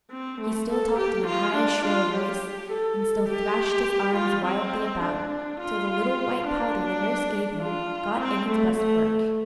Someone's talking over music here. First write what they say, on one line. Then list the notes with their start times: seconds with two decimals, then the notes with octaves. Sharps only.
He still talked in a high, shrill voice, and still thrashed his arms wildly about, till the little white powder the nurse gave him got in its blessed work.
0.12 C4
0.41 A3
0.70 A4
0.98 G4
1.27 F4
1.55 D4
1.85 F4
2.14 G4
2.71 A4
3.28 G4
4.15 F4
4.45 C4
5.03 D4
5.60 F4
6.47 D4
7.61 F4
8.20 C4
8.49 A3
8.78 A3